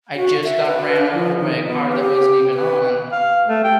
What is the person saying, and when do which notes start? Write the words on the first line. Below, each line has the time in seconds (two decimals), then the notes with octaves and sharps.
I just got ran over by a car that wasn't even on
0.16 F#4
0.44 E5
0.66 B4
0.96 D4
1.14 F3
1.40 D#3
1.67 B3
1.93 G4
2.54 B4
3.12 F5
3.48 A3
3.64 G5